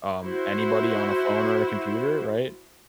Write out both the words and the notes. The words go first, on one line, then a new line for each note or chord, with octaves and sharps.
um, anybody on a phone or a computer, right?
E4 F#4 C5